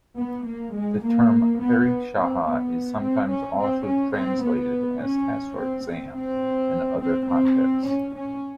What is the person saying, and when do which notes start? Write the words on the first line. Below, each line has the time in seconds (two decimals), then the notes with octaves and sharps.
The term "pariksaha" is sometimes also translated as test or exam, in other contexts.
0.18 B3
0.46 A#3
0.75 G#3
1.03 A#3
1.61 B3
2.18 C4
2.47 B3
3.03 C4
3.31 C#4
3.60 C4
3.89 C#4
4.17 C4
4.46 B3
5.03 C#4
5.60 C4
5.88 C4
6.17 C4
7.02 C4
7.31 C4
7.89 C#4
8.17 C#4